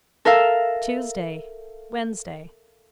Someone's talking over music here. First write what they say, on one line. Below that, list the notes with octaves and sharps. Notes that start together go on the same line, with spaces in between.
Tuesday, Wednesday.
A4 A#4 E5 F5